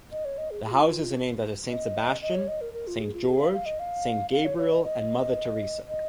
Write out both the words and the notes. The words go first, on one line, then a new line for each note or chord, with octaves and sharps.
The Houses are named after Saint Sebastian, Saint George, Saint Gabriel, and Mother Teresa.
D#5
C#5
D#5
G#4
G#4
F4
D#4
F4
D#5
D#5
C#5
D#5
A#4
A#4
F4
G#4
F4
G#4
F5
F5
D#5
F5
F5
C#5
C#5
D#5
D#5
D#5